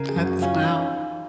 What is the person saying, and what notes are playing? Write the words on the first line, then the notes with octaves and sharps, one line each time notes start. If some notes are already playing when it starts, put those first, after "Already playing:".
That's wow.
Already playing: C#3 A#4
G#4
F#2
F#4
C#4 F4
D#4